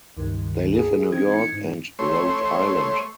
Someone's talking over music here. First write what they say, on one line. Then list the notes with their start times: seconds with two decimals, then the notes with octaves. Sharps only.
They live in New York and Rhode Island.
0.17 C#2 G2 D#3
0.74 G#4
1.11 E3 C4 D#4 G#6
1.34 C#7
1.52 G#2
1.99 A3 C#5 C6